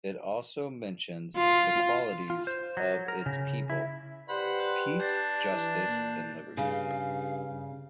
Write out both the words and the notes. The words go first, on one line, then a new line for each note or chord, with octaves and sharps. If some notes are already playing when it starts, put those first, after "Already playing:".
It also mentions the qualities of its people: peace, justice, and liberty.
F4
F4
C5
F#3
A#4
C#3
E4
G4 B4 C5 D5 F#5 B5
F#6
D4 G6 A6 C7
E3
A#2 A#3
G2 C#3 F5